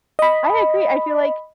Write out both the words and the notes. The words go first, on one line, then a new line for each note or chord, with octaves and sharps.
I agree. I feel like
D#5 B5